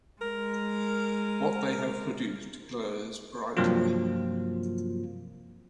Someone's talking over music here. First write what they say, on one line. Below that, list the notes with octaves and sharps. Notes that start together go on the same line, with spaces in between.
What they have produced glows brightly.
G#3 A#4
G2 C3 F3 F#3 A#3 F4